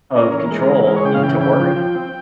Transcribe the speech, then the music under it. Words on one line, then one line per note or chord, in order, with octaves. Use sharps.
of control into worry?
C#4 A#4
E3
G#3
E3
G#3 A#4
C#5
C#3 G5
F5
E3 G5
C#3 G5
F3
F3
C4